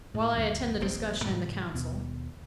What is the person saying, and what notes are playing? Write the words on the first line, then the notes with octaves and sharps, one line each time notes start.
While I attend the discussion in the Council....
A2
D2 G2 C#3 F3
D#1 A#1 C3 C4
G#2 C3 E3
D#2 B2